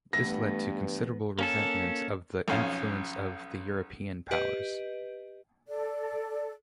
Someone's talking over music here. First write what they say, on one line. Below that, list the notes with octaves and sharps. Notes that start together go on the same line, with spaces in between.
This led to considerable resentment of the influence of the European powers.
E2 G2 A3 B3 E5 A#6
A#3 C#4 A4
B1 F2 C#4 F5
G4 B4 D#5
A4 D5